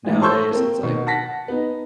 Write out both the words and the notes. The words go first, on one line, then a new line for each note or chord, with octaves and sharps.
nowadays it's like
G#2 E3 G#3
C5 A5 C6 C#6 E6 G6
A#3 C4
B2 D#3
F#5 A5 A#6 B6
B3 D#4